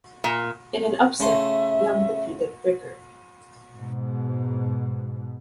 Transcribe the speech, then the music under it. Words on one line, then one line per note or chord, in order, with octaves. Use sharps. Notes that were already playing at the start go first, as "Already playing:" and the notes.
In an upset, Young defeated Bricker.
A#2
C#3 A3 E5 C6
G#2 B2